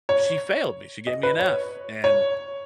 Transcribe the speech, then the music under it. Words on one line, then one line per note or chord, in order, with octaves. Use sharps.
She failed me, she gave me an F, and,
C#5
D#5
B4
C#5
C#5